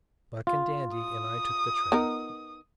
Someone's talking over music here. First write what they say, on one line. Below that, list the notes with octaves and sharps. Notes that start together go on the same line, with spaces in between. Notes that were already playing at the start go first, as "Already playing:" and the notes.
Buck and Dandy and I took the trail.
F4
D#6
B3 D#4 A#4